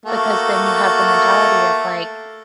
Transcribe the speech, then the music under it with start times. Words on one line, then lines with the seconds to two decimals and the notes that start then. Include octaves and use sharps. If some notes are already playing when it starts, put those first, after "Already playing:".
because then you have the mentality of like,
0.06 A3 A#3 F#4